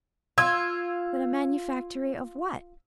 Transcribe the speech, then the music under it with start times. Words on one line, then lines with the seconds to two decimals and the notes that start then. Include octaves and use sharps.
But a manufactory of what?
0.38 F4 E6 G#6